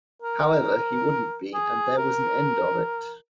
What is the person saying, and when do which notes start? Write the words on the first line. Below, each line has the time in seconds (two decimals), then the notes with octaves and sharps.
However, he wouldn't be, and there was an end of it.
0.22 A#4
1.54 G#4
1.97 A#4